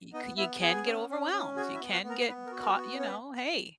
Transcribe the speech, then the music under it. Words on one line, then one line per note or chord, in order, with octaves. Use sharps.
you c you can get overwhelmed, you can get caught you know, hey,
B3 D#4 D#5
B3 E4 E5
B3 G#4 G#5
C#4
C#4
C#4
F#4 G#4 G#5
E4 E5
B3
F#4 F#5
B3
A#4 A#5
B3 B4
A#4
F#4
A#4
B3
C#4 C#5
B4